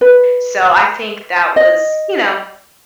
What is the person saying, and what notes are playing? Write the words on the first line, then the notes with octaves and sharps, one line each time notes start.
so I think that was, you know,
B4
D#5